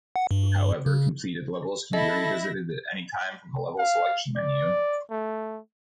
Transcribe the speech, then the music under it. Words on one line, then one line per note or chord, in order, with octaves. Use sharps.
However, completed levels can be re-visited at any time from the level selection menu.
F#5
G2
C#3
E4 A4 D#5 E5 B5 A#6
F5
D5
A3